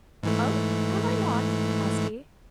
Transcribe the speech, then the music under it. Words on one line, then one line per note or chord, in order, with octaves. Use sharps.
'Oh, am I not?' asked he.
G#2 E3 A3